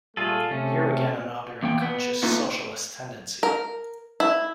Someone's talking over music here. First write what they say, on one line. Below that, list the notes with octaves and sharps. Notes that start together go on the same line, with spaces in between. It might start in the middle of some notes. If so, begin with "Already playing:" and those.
Here again another unconscious socialist tendency!
A#2 G3 A3 F4 G#4 A4
C3 A3 C#4
E2 A#3 G5
B3
A3 A#3 D#4 F4 B4
A#4
E4